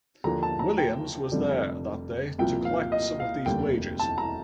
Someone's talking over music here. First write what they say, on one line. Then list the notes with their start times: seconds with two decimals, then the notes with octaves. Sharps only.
Williams was there that day to collect some of these wages.
0.24 D#2 D3 F3 A#5
0.43 A5
0.59 A#5
0.78 G5
1.32 F1 F2 D3 G3
2.38 C2 A#2 F3 G5
2.65 F5
2.92 D#5
3.20 F5
3.46 F1 D#2 D3 G3 G5
4.00 A5
4.18 A#5